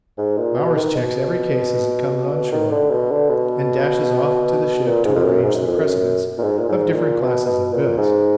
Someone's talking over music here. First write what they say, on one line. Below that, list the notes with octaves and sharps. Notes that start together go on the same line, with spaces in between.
Bowers checks every case as it comes on shore and dashes off to the ship to arrange the precedence of different classes of goods.
G#2
A#2
B2
D#3
B2
D#3
D3
B2
D3
B2
A#2
G#2
F2
F#2
G#2
F#2
F2
F#2
A#2
G#2
A#2
G#2
A#2
B2
B2
A#2
G#2